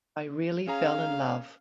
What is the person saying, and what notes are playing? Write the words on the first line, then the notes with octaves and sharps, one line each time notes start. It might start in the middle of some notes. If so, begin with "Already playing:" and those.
I really fell in love.
C#4 G#4 F5 A#5